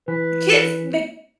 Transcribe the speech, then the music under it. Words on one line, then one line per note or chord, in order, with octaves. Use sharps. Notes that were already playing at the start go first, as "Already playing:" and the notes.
kids, the
E3 B4